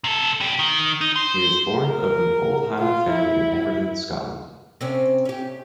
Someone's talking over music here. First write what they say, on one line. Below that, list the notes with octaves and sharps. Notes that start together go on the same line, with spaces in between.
He was born of an old Highland family in Aberdeen, Scotland.
C3 A4
B2 G4
D#3
D#4
C5 C6
A#4
F4
E4
C3 C4 C#4
C#4 G4